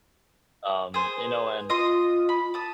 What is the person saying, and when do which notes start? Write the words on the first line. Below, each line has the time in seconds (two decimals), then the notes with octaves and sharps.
um, you know, and
0.94 G#4 C5
1.16 B4
1.70 F4 D#5 C6 D#6
2.29 B5
2.54 A5 D#6